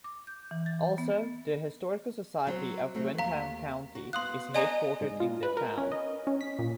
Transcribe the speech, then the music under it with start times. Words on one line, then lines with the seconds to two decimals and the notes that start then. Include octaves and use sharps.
Also, the Historical Society of Windham County is headquartered in the town.
0.04 D6
0.27 G6
0.51 E3
0.66 A6
0.98 B3
2.47 F#3 C4 C5
2.95 F#3 A3 C4
3.19 D#2 F5 A#5
3.95 F#4
4.13 B3 F5 C6 D#6 F#6
4.55 D5 D#5 G#5 A#5
5.01 G#2
5.20 F4
5.43 B4
5.57 A#4
5.78 C#4
5.92 D#5
6.27 C#4
6.41 B6
6.59 A#2